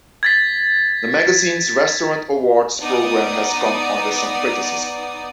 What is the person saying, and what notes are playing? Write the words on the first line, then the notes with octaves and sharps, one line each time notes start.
The magazine's Restaurant Awards program has come under some criticism.
G#6 A6 B6
B3 D#4 D5 D#6